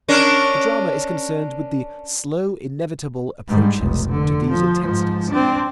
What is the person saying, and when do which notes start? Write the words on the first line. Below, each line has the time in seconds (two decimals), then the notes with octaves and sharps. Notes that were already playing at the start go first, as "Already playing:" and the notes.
The drama is concerned with the slow, inevitable approaches to these intensities.
0.08 C#4 D4 A#4
3.48 G#2 G3
3.78 F1 B1
4.11 D3
4.50 F3
4.84 G#2 F3
5.30 C4 D4